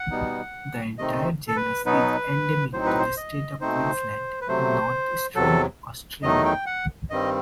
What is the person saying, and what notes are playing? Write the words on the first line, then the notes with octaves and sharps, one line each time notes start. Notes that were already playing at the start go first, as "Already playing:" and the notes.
The entire genus is endemic to the State of Queensland in northeastern Australia.
Already playing: F#5
B2 G3 B3 D#4
C3 D#3 A3 C4 D#4 D#5
A4
B4
B2 F#3 B3 D#4 B4
A2 F#3 C4 D#4 C5
B4
C5
D#5
B2 A3 C4 D#4 C5
B4
C3 F#3 A3 C5
E2 C3 F#3 A4
E2 D#3 F#3 A3 D#4 D#5
G5
F#5
G2 D#3 G3 C4 D#5